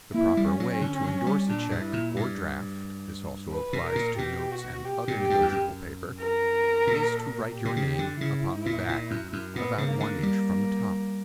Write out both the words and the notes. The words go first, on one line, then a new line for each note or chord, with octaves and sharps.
The proper way to indorse a check or draft--this also applies to notes and other negotiable paper--is to write your name upon the back about one inch from the top.
A#3 E4
G3
C#4
F#3
D3
F#3
G3
A#2 D4
G2
E4
A#2
G2
B4
B2
A#4
A#2
B2 G4
F#4
G4
A#2
G4
G2
E2
F#2
A#4
A#2
G4
B2
C#3
D3
C#3 E4
A#2
A#2
F#2
F#2
A#2 B3
C#3
A#3
D3
G3